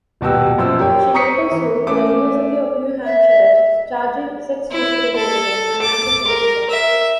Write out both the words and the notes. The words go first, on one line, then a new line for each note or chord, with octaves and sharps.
She later sued the University of New Hampshire charging sex discrimination and anti-Semitism.
D#1 B2 F#4 G4 E6
F#2 F3 E6
G4 A#4 C#5
A#5 C#6 D#6 B6 C#7
E3
A3 C#4 E5 D6
E5
E4
A4
D6
A#4
E5